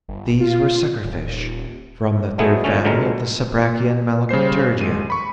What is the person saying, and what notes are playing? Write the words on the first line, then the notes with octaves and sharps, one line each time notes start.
These were suckerfish from the third family of the subbrachian Malacopterygia.
G1
F4
D#1
F#3 G#3 A3 B3 E4 G#4
A#2 D3 A3 C#4
C#2 D3 F#3 G#3 A#4
C#3 G3 C5 C7
G#1 G#3 D#7
B5 C#6